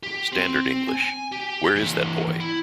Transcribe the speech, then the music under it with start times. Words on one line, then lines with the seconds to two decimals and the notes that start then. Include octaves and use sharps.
Standard English: Where is that boy?
0.03 G4
0.32 C4
0.88 G#5
1.32 G4
1.76 E3 A#3
2.40 E4